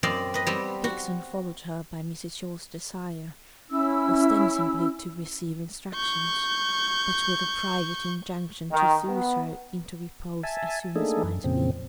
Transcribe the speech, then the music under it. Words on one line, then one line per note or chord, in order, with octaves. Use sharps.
Dixon followed her by Mrs. Shaw's desire, ostensibly to receive instructions, but with a private injunction to soothe her into repose as soon as might be.
F#2 C4 D5 D#5 F5
B4 D#5
G3 B3 C4
F#4
C#4 E4 E6
C#6 G6
D#3
B3
E5 G#5 A5
A3 A#3 D4 D#4 G#4 A4
F#2
F2 A#2 C#3 C4